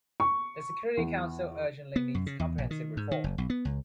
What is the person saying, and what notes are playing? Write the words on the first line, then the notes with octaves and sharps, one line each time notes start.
The Security Council urgently needs comprehensive reform.
C#6
E2
B3
F#2
C#3
E2
A#1
D#3
G#2
D#3
F#1
B1
B3
C#2